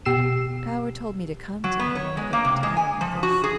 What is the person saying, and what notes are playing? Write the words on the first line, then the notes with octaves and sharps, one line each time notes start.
Power told me to come to him when I got tired of this.
B2 G4 E6 C7 E7
F#3
B3
C#5
G#3
A#3
C3
G#3
G#5
F3
F#4
G#4